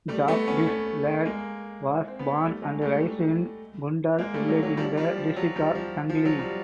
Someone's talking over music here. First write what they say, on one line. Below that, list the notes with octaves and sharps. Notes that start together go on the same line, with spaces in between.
Jagdish Lad was born and raised in Kundal village in the district of Sangli.
G3 A3
A3 B3
B3 C#4
A3 B3
G#3 A#3
C4
B3
A#3
G3 A3
F#3 G#3
G3 A3
G#3 A#3
G3 A3
F#3
F#3
F3 G3
F3 G3
F3
F#3
F3 G3
F3
F3
F#3
F3 G3